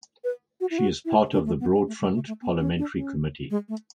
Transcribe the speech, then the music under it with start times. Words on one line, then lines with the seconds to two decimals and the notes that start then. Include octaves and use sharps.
She is part of the Broad Front parliamentary committee.
0.24 B4
0.61 F#4
0.71 E4
0.78 F#4
1.05 E4
1.33 D4
1.46 A3
1.60 B3
1.73 G#3
1.87 A3
2.01 G#3
2.15 A3
2.27 A3
2.42 B3
2.60 C#4
2.78 D4
2.96 C#4
3.50 G#3
3.69 A3